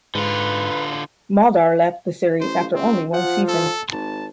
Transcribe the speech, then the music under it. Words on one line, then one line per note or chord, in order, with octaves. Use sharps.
Muldaur left the series after only one season.
G#2 D3 F4 B4
A1 C5
C#2 C4
F3 F#5
A4
G#1 A5